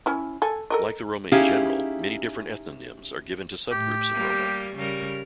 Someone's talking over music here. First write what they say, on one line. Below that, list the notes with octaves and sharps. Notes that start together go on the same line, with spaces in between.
Like the Roma in general, many different ethnonyms are given to subgroups of Roma.
C#4 E4
A4 G#5
A4 A#4 D#5
C#4 D#4 E4 G4 G#4 F5
A2 G4
G3 A#3
C#3 G3 A#4